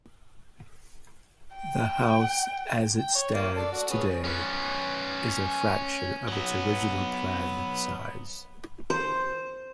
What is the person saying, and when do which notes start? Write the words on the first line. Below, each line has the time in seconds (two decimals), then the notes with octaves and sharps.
The house as it stands today is a fraction of its original planned size.
1.55 G5
2.99 G5
3.15 C#5
3.34 A#3 F4
3.56 A4 D5
3.72 F#4 D5
3.90 C#4 G#4 B4
4.24 C#4 B4
6.28 F#3 B3
8.90 C5